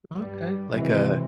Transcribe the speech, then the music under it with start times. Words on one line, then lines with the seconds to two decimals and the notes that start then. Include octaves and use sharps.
Okay, like a
0.13 G2 G3
0.72 C3 D#3 E3 F#3 G#3 C4